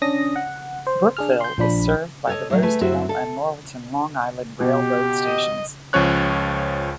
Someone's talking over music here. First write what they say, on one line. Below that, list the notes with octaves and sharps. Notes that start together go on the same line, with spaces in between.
Brookville is served by the Rosedale and Laurelton Long Island Rail Road stations.
C#4 D4 D#6 A#6
F#5
C5
D4 G#4 F6
C6 G6
A#1 F3 D4 B5
A4 C#5 D#5
A2 F#3
A3 G#4 B4
F#2 C4 E4 F#4 E5
A4
B2 G4
D#5
C#2 F3 C#4 C#5 F#6